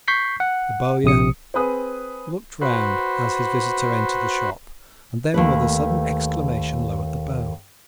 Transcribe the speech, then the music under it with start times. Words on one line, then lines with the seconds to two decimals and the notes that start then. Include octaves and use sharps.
The bowyer looked round as his visitor entered the shop, and then, with a sudden exclamation, lowered the bow.
0.08 C#6 G6 B6 C7
0.40 F#5
1.04 A#1 C3 D#6 C#7
1.54 C4 G#4 B4 D#6
2.62 F#4 B4 C5
5.34 D#2 A3 B4